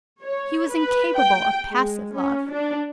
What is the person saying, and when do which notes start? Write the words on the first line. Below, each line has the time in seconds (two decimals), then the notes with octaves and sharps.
He was incapable of passive love.
0.22 C#5
0.71 B4
1.17 G5
1.69 G#3
2.14 C#4
2.50 D4